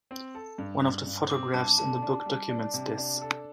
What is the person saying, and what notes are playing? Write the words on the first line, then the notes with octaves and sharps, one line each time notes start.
One of the photographs in the book documents this.
C4
A4
G2
G2
G2
C4 D6
G2 A5
D3 A5
D4
G3
D4
C3
D4
A4